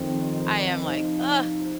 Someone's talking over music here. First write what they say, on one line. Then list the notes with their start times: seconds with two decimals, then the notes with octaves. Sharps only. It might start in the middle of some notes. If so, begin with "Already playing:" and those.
I am like, "Ugh."
Already playing: F2 D#3 C4
0.85 C3 F3 D#4